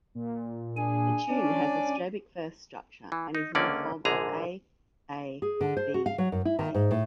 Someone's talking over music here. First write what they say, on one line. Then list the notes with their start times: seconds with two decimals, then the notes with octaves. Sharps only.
The tune has a strophic verse structure and is in the form A-A-B-A.
0.15 A#2
0.76 D4 G#4 G#5
1.29 C#2 C#4 D4 D5
3.12 E3
3.35 D#4
3.55 C#2 D3 A#3 C#4 D5
4.05 A#1 G#2 D3 G#4 A#5
5.42 G#4
5.61 D3
5.77 C5
5.94 F#4
6.06 F5
6.18 F#3
6.32 F#2
6.45 E4
6.59 D#3
6.75 G#2
6.91 A2